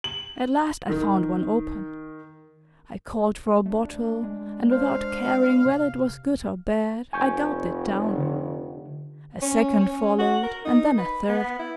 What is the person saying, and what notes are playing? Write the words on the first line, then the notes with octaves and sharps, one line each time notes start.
At last I found one open; I called for a bottle and without caring whether it was good or bad I gulped it down; a second followed and then a third.
F#7
D#3
A3 D4
G#3
C5 F5
C3
F1 G#5 C#6 G6
D3
C#4
C#4
F#4
A#4
D#4
B4
B3
E4